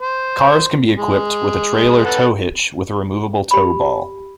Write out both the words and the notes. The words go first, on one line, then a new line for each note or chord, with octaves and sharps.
Cars can be equipped with a trailer tow hitch with a removable tow ball.
C5
G#3
A4 B4 F#5
G4 B5